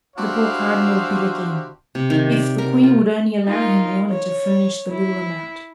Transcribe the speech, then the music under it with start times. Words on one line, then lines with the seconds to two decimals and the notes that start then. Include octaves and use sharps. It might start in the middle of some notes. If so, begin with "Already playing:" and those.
The poor cardinal bit again--"If the Queen would only allow him the honor to furnish the little amount!"
0.16 D4 E4 F#4 G4 C5 F5
1.95 C3
2.10 D#3
2.32 D5
2.58 A#4
2.83 F4
3.46 D#4 F4 A#4
4.09 C#5
4.90 E4